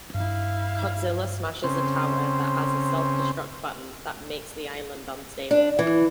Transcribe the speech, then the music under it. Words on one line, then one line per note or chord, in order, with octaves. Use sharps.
Godzilla smashes a tower that has a self-destruct button that makes the island unstable.
G2 E4 F5
C#3 C4
D4
E3